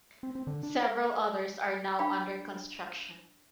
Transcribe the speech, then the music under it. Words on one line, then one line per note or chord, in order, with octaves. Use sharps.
Several others are now under construction.
C4
C4
D3
D4
D4 F5 G5 A#5 B5